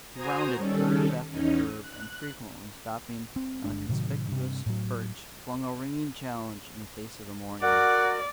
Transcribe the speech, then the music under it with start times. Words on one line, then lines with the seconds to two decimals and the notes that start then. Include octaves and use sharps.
He rounded curve after curve, and frequently stopping on a conspicuous perch, flung a ringing challenge in the face of the morning.
0.12 F#4 C5 G#5 A#5 D#6
0.56 D#3 G3 C#4 A4
1.31 E2 C#4 D#4
1.79 F#6
3.36 C4
3.64 G1 G#3 D4
3.89 A2 C3 D#3 F#3
4.28 G2 C3
4.66 A2 F#3
7.62 F#4 A#4 D5 F#5